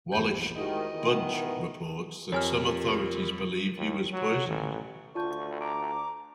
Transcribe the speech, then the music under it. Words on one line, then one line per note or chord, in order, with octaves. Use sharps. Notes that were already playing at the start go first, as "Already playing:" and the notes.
Wallis Budge reports that some authorities believe he was poisoned.
A#1 E2 G6
G#2 D#3 E4 F#4 G4 D#5
D#3 E3 B3
F2 F4 G4 A#4 C#5 G#5 F6
D#2
F#3
A1
D2 F4 D5 A5 C#6 G6
A#5 D6